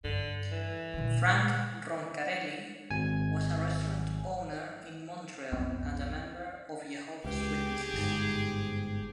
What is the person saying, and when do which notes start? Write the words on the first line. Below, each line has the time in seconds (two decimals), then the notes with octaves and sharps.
Frank Roncarelli was a restaurant owner in Montreal and a member of Jehovah's Witnesses.
0.04 G2 D3
0.51 E3
0.94 A#2 D3
2.90 G#1 G#5
5.52 B1 F2 B3 C4
7.24 C#2 G4 G#4
7.94 G1 G#2